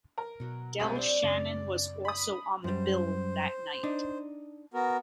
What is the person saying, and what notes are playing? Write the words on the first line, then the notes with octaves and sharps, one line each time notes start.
Del Shannon was also on the bill that night.
A#4
B2 F#3 F#4
C2 G#3 C4
G3 C4 D4
F#2 C#3 C4 D5
B5 D#6
F#2 G3 C5
D4 D#4
B3 F#4 A#4